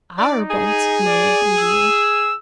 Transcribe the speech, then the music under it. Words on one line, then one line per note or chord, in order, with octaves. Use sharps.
"Our boat?" murmured the engineer.
D#4 D5
G#4
D5
E6